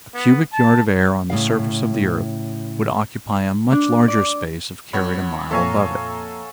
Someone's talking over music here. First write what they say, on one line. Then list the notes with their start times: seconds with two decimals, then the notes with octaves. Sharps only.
A cubic yard of air on the surface of the earth would occupy a much larger space if carried a mile above it.
0.14 B3
0.53 A5
1.30 A2 C#3 F5
3.72 D4
4.08 D5
4.93 F2 C#5 F#5 B5
5.51 F2 A#2 A4 C#5 E5 F5 G#5 A#5